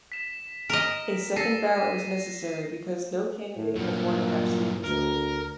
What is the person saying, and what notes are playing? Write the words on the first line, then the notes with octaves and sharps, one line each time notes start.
A second ballot was necessary because no candidate had won an absolute majority.
B6 E7
A#4 D#5
A4 A#6 C7 D#7
A2
G2 A#2 F#3
D2 A#4